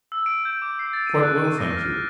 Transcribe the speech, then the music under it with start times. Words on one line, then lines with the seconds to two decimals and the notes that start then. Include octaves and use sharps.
"Quite well, thank you."
0.12 E6
0.26 D7
0.45 G6
0.62 D6
0.79 C7
0.93 A6
1.07 D#7
1.23 F#6
1.45 D#7
1.58 A#6
1.77 F6